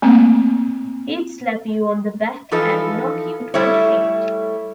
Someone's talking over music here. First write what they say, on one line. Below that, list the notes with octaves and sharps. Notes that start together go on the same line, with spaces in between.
He'd slap you on the back and knock you twenty feet.
A3 A#3 C4
E3 F3 D#4 F4 A4 B4
G3 A3 E4 C#5